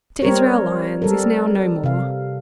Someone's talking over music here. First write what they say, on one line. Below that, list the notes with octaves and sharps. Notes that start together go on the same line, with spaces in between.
Mr. Israel Lyons is now no more.
G3 C4 A#4 C#5
G3 A4 A#4
C3 F5